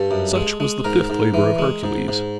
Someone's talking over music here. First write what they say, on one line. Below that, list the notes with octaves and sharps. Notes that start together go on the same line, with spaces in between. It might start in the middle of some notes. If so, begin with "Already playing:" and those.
Such was the fifth labor of Hercules.
Already playing: G2 A4
F#2
G#3
G#3
G#2 A#4
G#2
E3
G#3
G#2
G#2